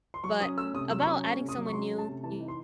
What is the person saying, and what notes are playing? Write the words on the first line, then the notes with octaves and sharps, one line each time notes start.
but about adding someone new, you
C6
F#3 C#6
C#4 D#6
A3 E6
C3 D#6
F#3 E6
C#6
C#4 D#6
A3 C#6
C3
D#6
F#3
C#6
C#4 C6
A3
A5
C3
E3 A5
D#4
C6